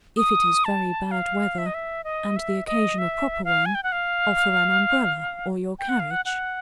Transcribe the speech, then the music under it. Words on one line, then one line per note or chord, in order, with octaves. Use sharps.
If it is very bad weather, and the occasion a proper one, offer an umbrella or your carriage.
D#6
A5
F5
E5
D#5
E5
D#5
E5
D#5
E5
F5
G#5
G5
F#5
F5
G5
F#5
F5
F#5
F#5